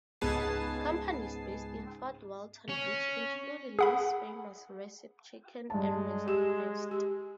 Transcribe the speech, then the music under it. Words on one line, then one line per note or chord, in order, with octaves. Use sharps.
Companies based in Fort Walton Beach include Lee's Famous Recipe Chicken and ResortQuest.
C#2 G#2 B3 G#4 A5 C7
C#4
G#4 F#5 B5
G2 G#3 A5
G4 E7
G4